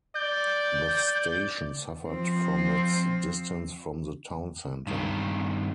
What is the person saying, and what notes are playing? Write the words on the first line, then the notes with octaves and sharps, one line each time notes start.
The station suffered from its distance from the town centre.
D5 G6
F3 C4
G2 D#3